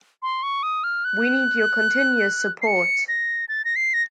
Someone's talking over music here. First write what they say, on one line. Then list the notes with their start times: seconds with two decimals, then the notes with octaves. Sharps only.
We need your continuous support.
0.22 C6
0.43 C#6
0.63 D#6
0.84 F6
1.05 F#6
2.62 C7
2.67 C#7
3.08 A#6
3.49 A6
3.65 A#6
3.76 C7
3.94 A#6